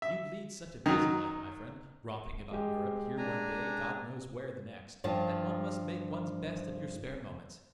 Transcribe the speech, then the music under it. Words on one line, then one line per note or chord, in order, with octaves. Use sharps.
You lead such a busy life, my friend, romping about Europe, here one day, God-knows-where the next, that one must make one's best of your spare moments.
E5
D#3 F#3
G#3 G4
D4 G#5 A#5
G2 F3 A5